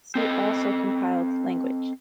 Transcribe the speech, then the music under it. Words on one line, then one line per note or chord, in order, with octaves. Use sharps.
See also compiled language.
C4 A4 D#5